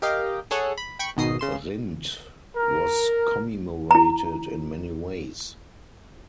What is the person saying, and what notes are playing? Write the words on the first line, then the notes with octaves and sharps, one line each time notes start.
Rindt was commemorated in many ways.
G4 A#4 D#5 F5 G5
G#4 A4 C#5 F#5
B5
G5 B5 C#6
G#1 B2 D#3 D#5 D#6 C7
C#3 C6 E7
A#4
E4 A#5